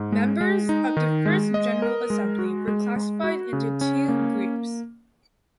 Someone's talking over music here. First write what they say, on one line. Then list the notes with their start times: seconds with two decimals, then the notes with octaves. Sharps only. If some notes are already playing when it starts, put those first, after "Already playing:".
Members of the first General Assembly were classified into two groups.
Already playing: G#2
0.12 G#3
0.41 G#3
0.69 D#4
0.97 D#3
1.26 G#3
1.54 D#5
1.82 A#4
2.10 G#3
2.39 F#4
2.68 G#3
2.96 G#3
3.24 F#4
3.53 C#3
3.81 C#4
4.08 A#3